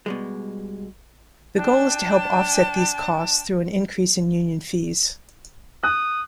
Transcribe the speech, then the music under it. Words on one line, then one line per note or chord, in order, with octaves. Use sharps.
The goal is to help offset these costs through an increase in union fees.
B2 G3 G#3
D4 G5 A5
D#6 F#6